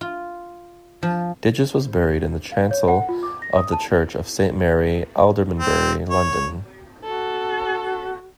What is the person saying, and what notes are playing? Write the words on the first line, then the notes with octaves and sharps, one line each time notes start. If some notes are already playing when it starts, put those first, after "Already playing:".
Digges was buried in the chancel of the church of Saint Mary Aldermanbury, London.
F4
F3
F5
C#5
F#5
F4
D6
A#6
D#6
A5
C4
C#5
F#4 A4